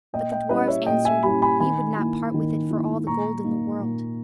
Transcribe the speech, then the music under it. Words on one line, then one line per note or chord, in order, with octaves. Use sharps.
But the dwarfs answered, "We would not part with it for all the gold in the world."
A#2 D#5 G5
D#5 G5
G3 C#4 E4 B4 D#5
C#5 E5
A#2 D#5 G5
E5 G#5
G3 C#4 E4 G#5 B5
G#5 B5
D#3 G#5 B5
A#3 E4
D#3
A#3 E4
A#2 A#5 C#6
A#3 D#4
A#2